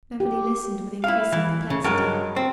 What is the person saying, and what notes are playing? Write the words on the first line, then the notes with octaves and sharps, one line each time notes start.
Beverly listened with increasing perplexity.
G4
E4 F5
E3
C#3
G2 F#3 G#3 A#4
C4